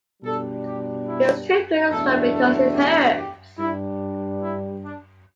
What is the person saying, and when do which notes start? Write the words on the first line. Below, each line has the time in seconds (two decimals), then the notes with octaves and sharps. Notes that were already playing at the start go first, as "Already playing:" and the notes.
It's too good a story because it hurts.
0.22 B2 G3 D4 A4
0.64 G4
1.06 E4
1.90 E2 B2 A3 D4 A4
2.32 A4
2.74 G4
3.15 G4
3.58 G2 G3 D4 E4
4.41 E4
4.83 D4